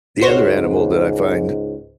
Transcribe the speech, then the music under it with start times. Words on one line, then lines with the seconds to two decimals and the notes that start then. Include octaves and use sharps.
The other animal that I find
0.21 C#2 G#2 F#4 C5 C#5